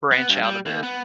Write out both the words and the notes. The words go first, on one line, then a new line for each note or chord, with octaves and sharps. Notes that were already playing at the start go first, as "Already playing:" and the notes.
branch out a bit.
B3
G2
G3
D#2
B3